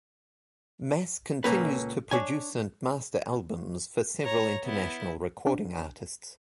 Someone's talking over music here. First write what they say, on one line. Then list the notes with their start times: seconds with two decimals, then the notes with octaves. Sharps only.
Mass continues to produce and master albums for several international recording artists.
1.44 C#2 A#2 A#3 C#4 A4 B4
2.11 D4 C#5 G#5
4.23 C#5 A#5
4.64 B3 E4
5.47 D4